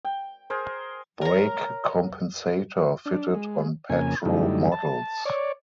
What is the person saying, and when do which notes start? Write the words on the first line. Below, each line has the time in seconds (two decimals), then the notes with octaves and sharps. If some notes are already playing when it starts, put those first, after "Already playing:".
Brake compensator fitted on petrol models.
0.05 G5
0.50 G#4 A#4 C5
1.21 A#4 C#5 A#5
3.06 D4
3.34 G#3
3.90 F2 C#3 A#3 G#5
4.25 F#2 D3 G3 A3 D#4 E4
4.72 A5
5.25 C#5 D5